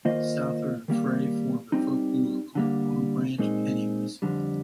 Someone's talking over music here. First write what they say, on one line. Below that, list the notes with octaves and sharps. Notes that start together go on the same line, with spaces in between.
Souther and Frey formed a folk duo called Longbranch Pennywhistle.
D#3 A#3 F4 C5 D#5
D#3 G3 A#3
G3 C4 D#4
D3 G3 A#3
A#2 G#3 C4 D#4
F2 D3 G3